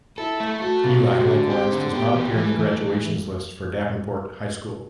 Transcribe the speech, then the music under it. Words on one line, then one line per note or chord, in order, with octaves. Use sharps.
Ely likewise does not appear in the graduations lists for Davenport High School.
E4 A4
A3
F#4 A4
B2
F#4 G4
D3
C4 G4
D3
B3 G4
E3
E3 A3
E3